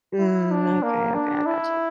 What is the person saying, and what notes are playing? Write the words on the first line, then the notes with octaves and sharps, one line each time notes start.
Mm, okay, okay, I got you.
E4
D4
A#3
D4
E4